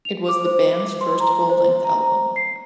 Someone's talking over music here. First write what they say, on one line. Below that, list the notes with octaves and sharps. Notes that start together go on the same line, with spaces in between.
It was the band's first full-length album.
F7
D6
C5
C6
A#5
C5
A#5
C7